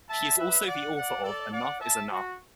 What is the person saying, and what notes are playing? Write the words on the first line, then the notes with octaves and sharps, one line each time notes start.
He is also the author of Enough is enough!
E5 A5
B4 E5
D5 F#5
D5 F#5
A4 D5
D5 F#5
E5 A5
F#4